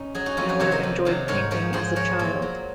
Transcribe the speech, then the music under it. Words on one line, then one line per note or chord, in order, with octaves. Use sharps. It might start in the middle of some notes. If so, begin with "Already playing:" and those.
Miler enjoyed painting as a child.
Already playing: C#4 D#4
F#3 G#4
D#4 F#4
F2 C#4 F4
G#4 C5
C3 D#3 F#3 A#4 C#5
C5 D#5
F2
C3 D#3 F#3
G#2 A#4 C#5
F3 A#4 C#5
G#2 G#4 C5
F3 A#4 C#5
A#2
F#3